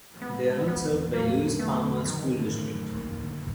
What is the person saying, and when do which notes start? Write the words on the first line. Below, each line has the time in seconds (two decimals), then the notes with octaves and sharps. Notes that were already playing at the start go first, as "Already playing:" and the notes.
They are all served by the Lewis-Palmer School District.
0.22 G#3 B3
0.45 G#3
0.67 E3 B3
0.90 E2
1.13 F#3 A#3
1.36 D3
1.59 A3 B3
1.82 D3
2.05 F#2 D#3
2.28 C#3
2.51 A3
2.74 F#2
2.97 A#3
3.20 D3